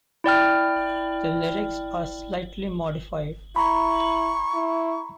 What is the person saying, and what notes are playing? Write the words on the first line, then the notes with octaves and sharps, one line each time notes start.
The lyrics are slightly modified.
E4 D5 G5 F6
E4 A#5 B5 C#6
E4